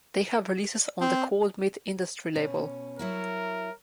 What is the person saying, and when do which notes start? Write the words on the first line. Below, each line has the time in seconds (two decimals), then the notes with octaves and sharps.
They have releases on the Cold Meat Industry label.
1.01 C4
2.36 B2 C#4
2.99 F#3 E4 F#4 A#4